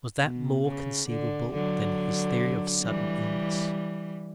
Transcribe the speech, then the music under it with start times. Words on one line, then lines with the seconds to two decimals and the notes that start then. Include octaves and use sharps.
Was that more conceivable than his theory of sudden illness?
0.22 B2
0.65 C#3
1.08 D3
1.53 D3 F#3
2.83 E3 G3